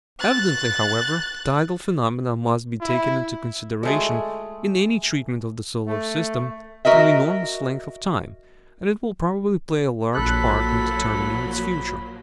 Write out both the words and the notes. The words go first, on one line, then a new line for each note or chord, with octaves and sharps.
Evidently, however, tidal phenomena must be taken into consideration in any treatment of the solar system through enormous length of time, and it will probably play a large part in determining its future.
F#6 A6
E4
G#3 A3 G#4
A3
F#4 A#4 D#5 E5
A#1 F3 F#3 A#3 A4 B5 F#6